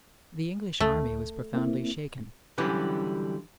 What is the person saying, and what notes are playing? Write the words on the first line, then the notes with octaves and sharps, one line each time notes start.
The English army was profoundly shaken.
D2 A3
A#3 C4 E4
D3 E3 F#3 G3 C#4 B4